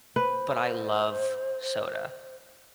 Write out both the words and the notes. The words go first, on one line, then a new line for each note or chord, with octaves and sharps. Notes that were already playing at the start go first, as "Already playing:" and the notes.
but I love soda,
B4 C5